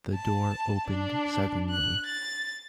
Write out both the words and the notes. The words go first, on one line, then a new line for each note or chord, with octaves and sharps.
The door opened suddenly.
A5
D4
F#6
A6